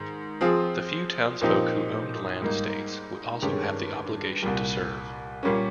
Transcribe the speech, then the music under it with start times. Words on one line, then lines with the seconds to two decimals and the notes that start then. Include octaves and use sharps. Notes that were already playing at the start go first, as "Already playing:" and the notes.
The few townsfolk who owned land estates would also have the obligation to serve.
Already playing: G#2 D#3
0.41 F3 C4 F4 G#4
1.41 A#2 F3 C4 D#4 G4
2.42 G#2 G3 A#3 D#4
3.42 G2 D#3 G#3 C#4 G4
4.43 C2 A#2 G3
5.43 A#2 G3 A#3 C#4